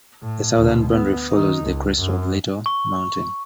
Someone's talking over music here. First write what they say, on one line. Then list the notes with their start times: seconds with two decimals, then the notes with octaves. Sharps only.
The southern boundary follows the crest of Little Mountain.
0.23 A2
0.57 D2 B2
0.93 B3
1.31 D#3 D#4
1.62 C#2
1.99 F#2
2.66 C#6